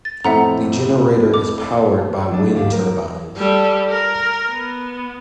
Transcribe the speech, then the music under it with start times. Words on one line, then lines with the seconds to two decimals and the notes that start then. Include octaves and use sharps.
The generator is powered by wind turbines.
0.05 A6
0.24 F2 A2 C4 E5 F#5 A#5
1.34 D6
2.31 F#3 D4
2.54 D2 G#2 D4 G4 F5
2.72 F#3 A#4
3.37 G3 A4
3.89 A#4
4.49 B3